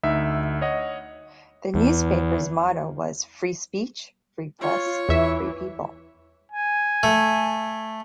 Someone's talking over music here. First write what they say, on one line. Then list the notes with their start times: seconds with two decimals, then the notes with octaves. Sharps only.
The newspaper's motto was "Free Speech, Free Press, Free People".
0.03 D2 D#4 E5
0.61 C#5 D#5 F#5
1.75 E2
4.61 F4 C#5
5.09 E2 E3 E5
6.51 G#5
7.03 A3